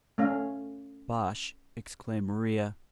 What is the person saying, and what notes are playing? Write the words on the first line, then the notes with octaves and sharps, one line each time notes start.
"Bosh!" exclaimed Maria.
A3 C#4 F5